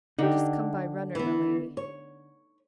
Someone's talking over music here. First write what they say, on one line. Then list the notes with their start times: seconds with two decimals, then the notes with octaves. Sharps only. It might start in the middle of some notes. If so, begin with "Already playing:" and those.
"Just come by runner, my lady."
0.19 D3 D#4 G4
1.15 E3 B3
1.77 C#5